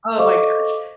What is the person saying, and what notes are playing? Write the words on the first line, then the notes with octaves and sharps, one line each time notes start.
Oh my gosh.
A4 C5 D#5 F5 C#6 D6